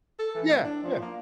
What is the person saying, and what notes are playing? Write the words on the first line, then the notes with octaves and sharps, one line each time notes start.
Yeah, yeah.
A4
E3
A2
D4
F3
A#3